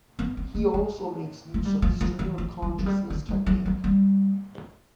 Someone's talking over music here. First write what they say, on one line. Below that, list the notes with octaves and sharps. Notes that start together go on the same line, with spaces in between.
He also makes use of the stream of consciousness technique.
B3
C4
A3
G#3
G#3
G3
F3
F3
E3
F3
F#3
F#3
G3
D3
G3
F#3
F#3
G3